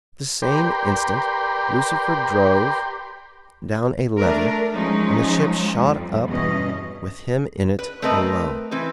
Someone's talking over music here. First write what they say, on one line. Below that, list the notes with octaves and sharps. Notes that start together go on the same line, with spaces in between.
At the same instant Lucifer drove down a lever and the ship shot up with him in it alone.
G4 A#4 B4 D5 G5 C6
A3 D4 A#4
F3 F#3 G#3 C#4 D#4
F2 G3
E2 G2 B2 E3 C#4 D#5
B4
A3 C4 A#4 B4 D#5
E3 C4 B4